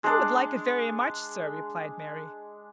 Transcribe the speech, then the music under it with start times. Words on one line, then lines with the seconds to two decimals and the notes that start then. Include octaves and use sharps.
"I would like it very much, sir," replied Mary.
0.04 G#3 D4